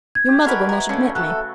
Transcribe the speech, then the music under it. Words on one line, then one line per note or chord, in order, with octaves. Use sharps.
"Your mother will not admit me."
G#6
G4
G#3 D4 F#4 A#4 B4 B5
E4 A#4
C#3 A3 C#4 D4
F#3 A3 A4 F#6